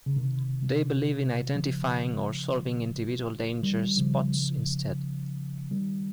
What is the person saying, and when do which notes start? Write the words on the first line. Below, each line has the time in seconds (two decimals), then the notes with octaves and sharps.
They believe in identifying or solving individual danger spots instead.
0.06 C#3
0.16 C3 D#3
1.55 C#3 F3
3.63 D#3 G3
3.97 C#3 F3
5.71 D#3 G3